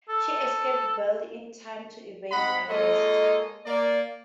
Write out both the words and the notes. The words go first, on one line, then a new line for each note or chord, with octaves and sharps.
She escaped barely in time to evade arrest.
A4
G#2 C4 D#5 F#5 B5
G#3 A#3 F4 A4 C#5 D#5
A#3 D5